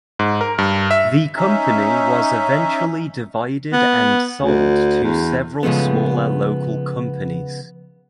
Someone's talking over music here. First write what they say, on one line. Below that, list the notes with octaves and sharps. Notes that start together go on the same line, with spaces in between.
The company was eventually divided and sold to several smaller local companies.
G#2
A#4
G2
E5
C#4 D#4 E5
B3
D2
E2
C#3 F3 G#3 A3 B3